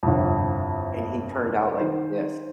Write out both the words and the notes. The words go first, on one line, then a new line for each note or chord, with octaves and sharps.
And he turned out like this.
G1 C2 F2
D#3 C5